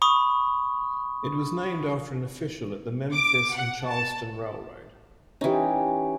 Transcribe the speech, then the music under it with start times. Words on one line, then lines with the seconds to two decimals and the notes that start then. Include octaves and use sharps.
It was named after an official at the Memphis and Charleston Railroad.
0.02 B5 C#6 D#6
3.13 D6
3.55 F#5
3.87 A5
5.41 E3 C#4 D#4 G4